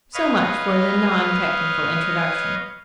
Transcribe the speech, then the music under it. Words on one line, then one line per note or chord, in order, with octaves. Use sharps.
So much for the non-technical introduction.
B4 C#5 D#5 F5